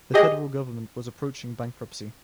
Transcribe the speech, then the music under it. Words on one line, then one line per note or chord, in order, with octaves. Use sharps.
The federal government was approaching bankruptcy.
G4 G#4 D#5